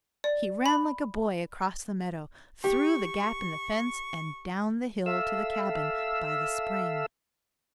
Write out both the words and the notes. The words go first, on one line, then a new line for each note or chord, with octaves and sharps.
He ran like a boy across the meadow, through the gap in the fence, and down the hill to the cabin by the spring.
D5
B5
G4 C#6
A4 E5 F5 E6